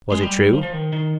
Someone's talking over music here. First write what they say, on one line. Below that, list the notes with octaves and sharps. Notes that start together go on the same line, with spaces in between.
"Was it true?"
G#3
G3
F3
F3
D#3
D#3